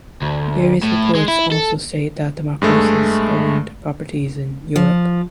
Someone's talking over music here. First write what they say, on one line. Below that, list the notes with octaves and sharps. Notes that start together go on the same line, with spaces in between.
Various reports also state that the Marcoses owned properties in Europe.
D2
A2
G#3
E4
A4
G2 G#3 A3
F3